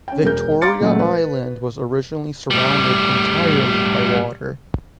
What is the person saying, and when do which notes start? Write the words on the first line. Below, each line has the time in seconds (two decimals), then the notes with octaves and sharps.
Victoria Island was originally surrounded entirely by water.
0.08 C#4 G5
0.24 E1 A#4 G6
0.62 F5 A#5 C6 D6 A6 C#7
0.81 A#2 C#3 F#3 G#3 A3
0.99 B4
2.50 A2 G3